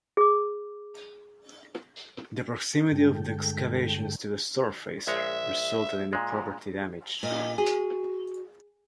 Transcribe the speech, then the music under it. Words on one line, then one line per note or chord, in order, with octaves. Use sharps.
The proximity of the excavations to the surface resulted in the property damage.
G#4 D6
G2 D3 G#3 A4 G5
A#1 G#3 C#5 E5
A#2 G#3
A#2 D#5
F#4 G#4